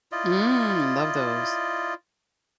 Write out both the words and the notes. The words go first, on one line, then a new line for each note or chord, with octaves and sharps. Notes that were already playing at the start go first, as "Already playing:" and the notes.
Mm, love those.
E4 F4 D5 D#5